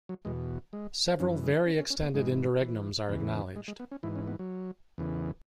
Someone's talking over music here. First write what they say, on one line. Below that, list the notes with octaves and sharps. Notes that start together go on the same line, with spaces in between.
Several very extended interregnums are acknowledged.
F#3
E2 B2 G#3
G#3
F#2 E3 C#4
G#3
C#4
C#4
C#4
B3
G#2 E3 G#3
E3
E2 C#3 E3
G#3
G#3
B3
C#4
G#2 E3 E4
C#4
B3
F#3
E2 C#3 E3